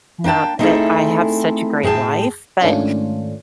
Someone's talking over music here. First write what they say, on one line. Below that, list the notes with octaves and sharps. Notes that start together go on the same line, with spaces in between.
not that I have such a great life, but
A#3 D4 G5 A5
A3 C4 D#4 E4 G#4 A4
A2 G#4 G5 A5
G#2 D#3 A3 C#4 D4 F4